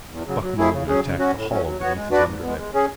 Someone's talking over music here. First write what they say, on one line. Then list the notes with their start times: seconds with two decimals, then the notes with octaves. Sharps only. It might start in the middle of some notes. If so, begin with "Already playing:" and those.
Buck Mulligan attacked the hollow beneath his underlip.
0.11 E2
0.26 C#3 F#3
0.42 F#3
0.57 A3 E4 G#4
0.72 C#3
0.88 F#3 C#4 G#4
1.03 C#3
1.18 F#3 C#4 F#4
1.35 A2
1.50 F#3 C#4
1.65 F#3
1.80 B3 F#4 C#5
1.96 G#3
2.11 D4 F#4 B4 D5
2.27 G#2
2.42 G#3 B3
2.58 G#3
2.74 C#4 G#4